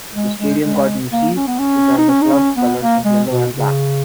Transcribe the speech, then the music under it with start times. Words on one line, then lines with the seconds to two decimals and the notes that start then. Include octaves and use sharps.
The stadium got new seats, which are the club colors of yellow and black.
0.15 G#3
0.40 G#3
0.63 G#3
1.12 A#3
1.37 C#4
1.47 B3
1.59 C#4
1.98 D#4
2.09 C#4
2.22 D#4
2.33 C#4
2.57 B3
2.81 A#3
3.05 G#3
3.30 B2
3.54 C#3